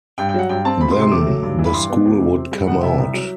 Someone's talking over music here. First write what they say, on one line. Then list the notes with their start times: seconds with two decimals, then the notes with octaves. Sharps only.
Then the school would come out.
0.18 G2 G5
0.29 G5
0.34 F#3 F#5
0.49 G2 G5
0.65 C4 A5
0.80 D2 B5
0.91 C6
0.96 C3
1.02 C6
1.12 A3 D6
1.27 F#3
1.43 G2
1.59 E3
1.65 B5
1.73 G2 C6
1.89 B3
2.05 D2
2.20 C3
2.36 C4
2.51 G3
2.67 C2 F#5
2.82 C3 E5
2.98 C2
3.14 F#3